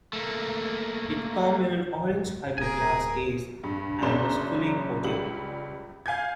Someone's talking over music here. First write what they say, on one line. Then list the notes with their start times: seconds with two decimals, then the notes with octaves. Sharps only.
It came in an orange fiberglass case and was fully portable.
0.13 A3 A#3
2.58 D1 A#3 G#4 A#4 G#5
3.64 G2
4.02 F#1 F#2 C#3 D4 C6 E7
5.04 C#2 G3 F#7
6.06 F5 G#5 G6 G#6